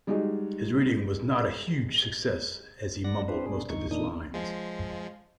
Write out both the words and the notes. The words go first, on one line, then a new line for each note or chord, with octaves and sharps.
His reading was not a huge success as he mumbled most of his lines.
G3 G#3 D#4 F#4 G#4
D5 F#5 A#6
C4 D4 B4 C5
B2 D4 G#4
D2 G2 D#4 C#6
E2 A#2 D#3 D4 D#4 D#6
F3 G#3